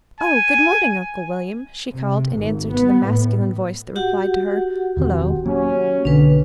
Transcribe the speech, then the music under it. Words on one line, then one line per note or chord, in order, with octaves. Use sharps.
"Oh, good morning, Uncle William," she called, in answer to the masculine voice that replied to her "Hullo."
G#5
C3
G#1
B3
A2
F#4 G4 F#5
E1 D#3 C4
F#3 A#3 C#4
B1 D3 D4 B4